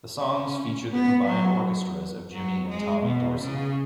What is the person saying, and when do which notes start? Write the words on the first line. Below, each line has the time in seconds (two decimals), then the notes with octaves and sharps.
The songs featured the combined orchestras of Jimmy and Tommy Dorsey.
0.18 C#4
0.90 B3
1.25 F#3
2.33 F#3
2.69 G#3
3.04 B2
3.40 C#3